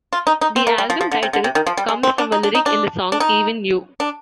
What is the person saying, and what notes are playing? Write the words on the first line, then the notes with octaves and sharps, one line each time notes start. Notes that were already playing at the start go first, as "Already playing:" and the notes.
The album title comes from a lyric in the song "Even You".
F4
D#4
D#4
C4
A#3
G3
F3
F3
D3
C3
D3
C3
D#3
F3
G3
G#3
C4
D4
D#4
D4
D#4
D4
D4
D#4
D4